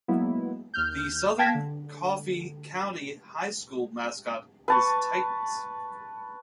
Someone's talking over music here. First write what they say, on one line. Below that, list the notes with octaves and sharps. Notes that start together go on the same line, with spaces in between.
The Southern Coffey County High School mascot is Titans.
F#3 G#3 A#3 B3 E4
D#2 F6 G6
F5 G5 A5 G#6 A#6 B6
D3
B4 A5 C#6